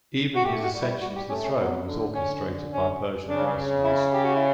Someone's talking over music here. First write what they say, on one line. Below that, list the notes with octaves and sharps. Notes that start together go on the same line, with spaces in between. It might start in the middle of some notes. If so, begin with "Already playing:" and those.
Even his ascension to the throne was orchestrated by Persian mercenaries.
F#4
A3 G4
F#4
G3
E4
G3 F#4
G4
A3 C#4
C#4
F#3 B3
D3
D3 C#4
C#4
C#3 D4
E4
G4
F#4
E4